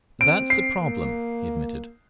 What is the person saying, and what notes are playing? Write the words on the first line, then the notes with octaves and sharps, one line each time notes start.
"That's a problem," he admitted.
C4 D7
C7
A#3